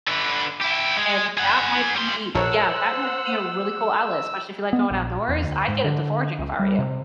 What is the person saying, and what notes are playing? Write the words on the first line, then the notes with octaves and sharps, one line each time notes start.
and that might be yeah, that would be a really cool outlet, especially if you like going outdoors. I'd get into foraging if I were you.
D3 B4
E4 G4
G#3
G#4 F#5
G3 C6
A#1 A4 A#4 C5 C#5 F#5 E6
B3
A#1
E2
D2
G#2
D3
C#2
G3
C3